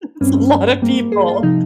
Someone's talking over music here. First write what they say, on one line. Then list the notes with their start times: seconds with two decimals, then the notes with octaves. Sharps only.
That's a lotta people.
0.21 G2 G3 C4 C#4
0.82 G#2 G3 A#3
1.12 G#4
1.28 F4
1.43 C3 F3 D#4